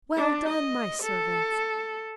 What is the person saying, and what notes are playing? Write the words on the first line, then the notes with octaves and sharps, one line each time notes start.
'Well done, my servants!
D4
D#5
A4